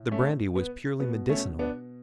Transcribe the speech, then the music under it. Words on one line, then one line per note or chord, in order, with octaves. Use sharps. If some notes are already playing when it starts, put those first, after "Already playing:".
The brandy was purely medicinal.
Already playing: A2
A3 C#4
B3
B2 B3
A3 C#4
B3 D4